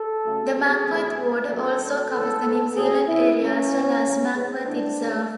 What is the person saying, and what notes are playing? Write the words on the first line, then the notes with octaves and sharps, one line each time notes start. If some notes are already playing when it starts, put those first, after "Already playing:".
The Mackworth ward also covers the New Zealand area as well as Mackworth itself.
Already playing: A4
C#3 F#3 A3
B2 F#3 B3 G#4
E2 D3 F#3 A3
A2 G#3 B3
F#2 D3 F#3 B3 A4
F#2 D3 A3
C#3 E3 B3 A4
G#2 G#3 B3
C#3 F#3 A3 G#4
C#3 G#3 B3 E4
C#3 E3 A3 C#4
A2 F#3 B3
C#3 E3 A3
G#2 G#3 B3
A2 E3 A3 D4
C#3 G#3 B3